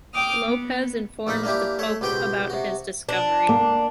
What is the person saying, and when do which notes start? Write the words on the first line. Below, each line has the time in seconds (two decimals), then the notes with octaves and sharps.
Lopez informed the Pope about his discovery.
0.14 G5 D6 D#6 F6
0.43 B3
1.27 A#1 A#3 D#4 B5
1.43 A#3 D4 E4 G4
1.79 A3 C#5 E5
2.01 C#2 B2 G4 C5 G5
2.50 C3 F#4
3.09 D4
3.49 A#3